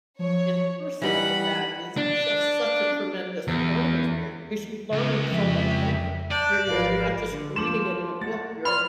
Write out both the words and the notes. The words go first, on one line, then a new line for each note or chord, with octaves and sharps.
in person like that is just such a tremendous learning experience because you learn so much more. You're you know, you're not just reading it in a book, you're
F3 C#5
E3 G3 D#4 F#5 B5
D4
E2
C#2
F2 E5 G5
D5 A5 F#6 G6
G#1 F3 A#4 B4 F5
D3
F3 C6 D6 E7 F#7
A#3 F#5 A6
D5 B5 C6 F6